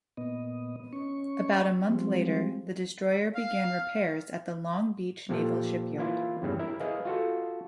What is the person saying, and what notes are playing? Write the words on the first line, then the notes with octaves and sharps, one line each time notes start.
About a month later, the destroyer began repairs at the Long Beach Naval Shipyard.
A#2 B3 D#5
C#4 C#6
F3 G3 G#3 C4
F5
A#2 F3 G4 A4
E3 A#3 E4 F4
E2 G2 C#3
E4 A#4 E5
G#4 B4 D#5 F5
F4 F#4 A4